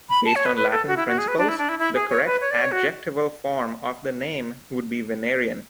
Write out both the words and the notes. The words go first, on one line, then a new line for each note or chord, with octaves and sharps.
Based on Latin principles, the correct adjectival form of the name would be Venerean.
B5
A5
C#5
B4
B4
A4
F#4
E4
F#4
G#4
B4
D4
E4
D4
E4
E4
G#4
C#5
B4
C#5
D5
C#5
F#4